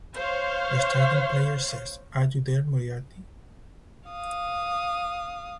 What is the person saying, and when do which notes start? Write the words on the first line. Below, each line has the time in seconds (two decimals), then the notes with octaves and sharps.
The starting player says "Are you there Moriarty?".
0.16 C5 C#5 F5
4.09 F5 D#6